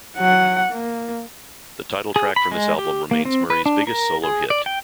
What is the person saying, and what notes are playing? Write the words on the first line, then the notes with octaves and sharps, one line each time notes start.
The title track from this album remains Murray's biggest solo hit.
F#3 F#5
A#3
G#4
B5
G#3
G4
A#3
C4
B4
D4
A#4
G#4
D5
G5